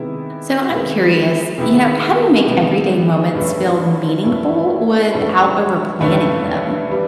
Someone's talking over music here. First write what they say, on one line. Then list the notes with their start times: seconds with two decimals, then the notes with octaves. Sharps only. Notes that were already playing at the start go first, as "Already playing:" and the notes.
So, I'm curious, you know, how do you make everyday moments feel meaningful without over-planning them?
Already playing: C3 D#3 G#3 B3 E4
0.69 C3 D#3 G#3 B3 E4
1.58 C3 D#3 G#3 B3 E4
2.46 C3 D#3 G#3 B3 E4
3.35 G2 E3 A3 C#4 E4
4.24 G2 E3 A3 C#4 E4
5.12 G2 E3 A3 C#4 E4
6.01 G2 E3 A3 C#4 E4
6.89 E3 G3